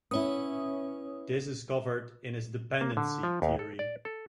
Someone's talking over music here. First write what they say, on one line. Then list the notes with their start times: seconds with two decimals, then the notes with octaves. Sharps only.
This is covered in his dependency theory.
0.11 B3 C#4 E4 C#5 D#6
2.81 A#3
2.97 D3
3.23 F3
3.42 D#2
3.59 A4
3.79 D5
4.05 A4